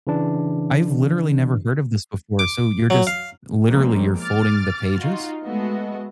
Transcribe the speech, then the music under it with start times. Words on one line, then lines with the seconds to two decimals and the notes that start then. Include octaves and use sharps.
I've literally never heard of this before, so, you're, just literally, you're folding the pages?
0.07 C#3 E3 D4
2.39 D6
2.90 F#3
3.07 F5
3.65 B2 F3 G#3 A#3 C4 C#4
4.18 D6 F6 A6
4.98 D#4 F4 F#4
5.44 G#3 A3 B3 F#4 D#5